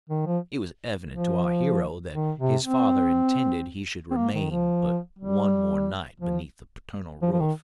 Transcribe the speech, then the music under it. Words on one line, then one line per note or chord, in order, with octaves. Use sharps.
It was evident to our hero that his father intended he should remain but one more night beneath the paternal roof.
D#3
F3
F3
D#3
C3
C4
C4
A#3
D#3
F3
G3
F3
F3
F3
D#3